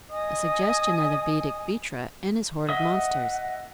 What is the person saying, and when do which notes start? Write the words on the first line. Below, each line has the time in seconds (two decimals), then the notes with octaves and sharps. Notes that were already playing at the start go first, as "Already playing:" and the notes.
A suggestion of the Vedic Vritra and his horde of monsters.
0.11 D#5 G#5 D#6
2.69 D#5 E5 F#5 D#6